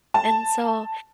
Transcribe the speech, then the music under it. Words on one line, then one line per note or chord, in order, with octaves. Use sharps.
And so
A5